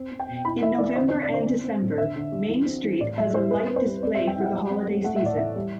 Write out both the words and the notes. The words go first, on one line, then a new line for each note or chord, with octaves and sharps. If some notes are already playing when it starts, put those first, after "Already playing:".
In November and December, Main Street has a light display for the holiday season.
Already playing: C4
C4
G5
B2
E4 B5
E3 E5
E3 D5
D3 C5
C5
C4
D5
D3 C5
C4
C4
A2
D3 E5
D3
G3
E3
C4
E3
A2 D5
F#3 E5
E4 C5
G3 B4
C4
C5
G3
C4 D5
E5
G3
G5
E4 F#5
F#3
C4
A3
A3 F#5
E5
A2 D5
E3 E5
G3